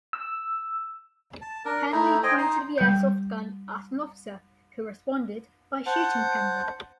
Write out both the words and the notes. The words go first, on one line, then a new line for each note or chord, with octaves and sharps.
Penley pointed the Airsoft gun at an officer, who responded by shooting Penley.
E6
A5
D4 A#4
A3 D#4 E4
C5 D#5 G5 G#5
D#4 C6
G3 G6
C5 F#5 A5